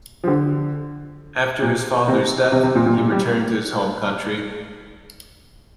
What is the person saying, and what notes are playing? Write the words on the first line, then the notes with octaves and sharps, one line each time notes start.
After his father's death he returned to his home country.
F3
D3
A#2
C3
C3
C3
A#2
A#2
A#2
G3